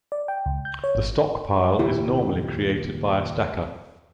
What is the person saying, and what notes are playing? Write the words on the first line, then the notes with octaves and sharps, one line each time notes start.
The stockpile is normally created by a stacker.
D5
G5
C#2
G6
C#5
G#1
D#2 A#2 C#3 E4 G4